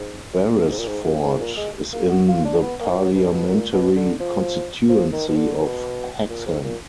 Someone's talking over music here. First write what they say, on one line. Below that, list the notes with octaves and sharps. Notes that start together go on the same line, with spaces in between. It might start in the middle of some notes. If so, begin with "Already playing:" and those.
Barrasford is in the parliamentary constituency of Hexham.
Already playing: G#2
G#2
A#2
G#2
F#2
G#2
G#2
A#2
G#3
A#3
F#4
F4
D4
B3
A#3
F3
F#3
B2
D3
B2
A#2
B2
D3
F3
F3
D#3
B2
D3
B2
A#2
G#2
A#2